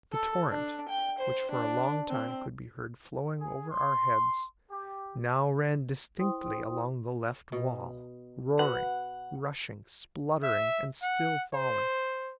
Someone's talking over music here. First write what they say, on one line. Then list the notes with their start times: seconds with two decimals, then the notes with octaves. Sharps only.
The torrent, which for a long time could be heard flowing over our heads, now ran distinctly along the left wall, roaring, rushing, spluttering, and still falling.
0.13 A4
0.50 D4
0.89 G5
1.19 C5
1.52 D4
2.09 C4
3.39 G#4
3.70 C6
4.70 G4
6.19 E4 C5 G5 C6 D#6
7.52 B2
8.59 F#4 B4 F#5
10.43 E5
11.02 F#5
11.53 C5